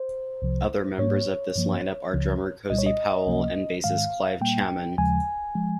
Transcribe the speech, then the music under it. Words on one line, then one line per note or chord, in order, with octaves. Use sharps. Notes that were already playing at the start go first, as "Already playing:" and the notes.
Other members of this line up are drummer Cozy Powell and bassist Clive Chaman.
Already playing: C5
C2 C3 F3
G#2 G3 A#3 C#5
G2 F3 A#3
C#2 C#3 F3
C2 A#2 G3 D#5
C#5
D#5
C#2 C3 F3 A#3
G#2 D#3 G#3 F5
A#2 G3 A#3 G5
D#2 C#3 F3 G#3 G#5
F3 G#3